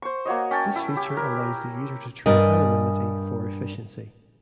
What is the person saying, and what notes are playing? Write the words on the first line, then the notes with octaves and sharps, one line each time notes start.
This feature allows the user to trade anonymity for efficiency.
C5 C#6
A#3 F#4 C#5 D#5
C#4 G5 A5
E4
G4
A#4
G2 A#4 D5 D#5 G#5